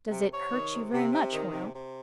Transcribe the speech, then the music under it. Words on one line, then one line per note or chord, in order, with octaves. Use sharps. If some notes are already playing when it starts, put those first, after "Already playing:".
"Does it hurt you very much, Hoyle?"
C3
C3 C#5
D#3
C3
C3
C3
D#3
C3
C3